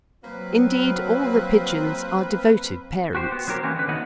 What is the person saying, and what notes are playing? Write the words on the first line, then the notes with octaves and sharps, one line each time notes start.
Indeed, all the pigeons are devoted parents.
F#3 A#3 C4 B4
F#4 G4 C5
B3 F#4
F#3 B3 C#4 G4 A#4 C5
E3 F#3 A#3 C4 C#4 B4
D3 B4
D#3 F#3 A3 B3 D#5 F#5